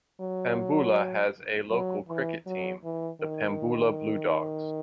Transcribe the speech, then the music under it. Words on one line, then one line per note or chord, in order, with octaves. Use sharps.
Pambula has a local cricket team, the Pambula Bluedogs.
F#3
F#3
E3
F#3
E3
D#3